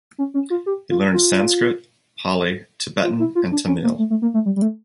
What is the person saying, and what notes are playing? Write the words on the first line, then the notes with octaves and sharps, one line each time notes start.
He learned Sanskrit, Pali, Tibetan and Tamil.
C#4
C#4
F4
G4
F4
F4
F4
E4
F4
D4
C#4
A#3
A3
A3
A#3
A3
G3
G3
A3